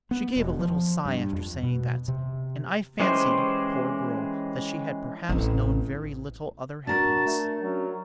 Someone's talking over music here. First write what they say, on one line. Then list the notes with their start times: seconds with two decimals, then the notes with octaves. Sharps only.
She gave a little sigh after saying that; and I fancied, poor girl, that she had perhaps known very little other happiness.'
0.11 B3
0.36 E1
0.59 F3
1.06 G2
1.33 F2
1.63 B2
2.08 C3
3.00 E3 G#3 C#4 G4 C5
5.29 A1 C4
6.87 D4 F#4 A#4 A5
7.26 A3
7.62 F#3 C#4